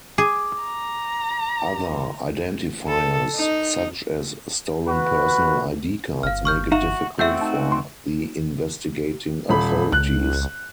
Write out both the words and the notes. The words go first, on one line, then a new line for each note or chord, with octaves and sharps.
Other identifiers such as stolen personal ID cards make it difficult for the investigating authorities.
G#4 D6
A#5
A4
D#4
F#4 B4
G1 F5 F6
C#6 F6 G6
D#4 F#4 E5 F5 E7
A3 C4 F#4 E5 F#5 G6
D#4 A5
C6
D#1 B5
C#2 F#6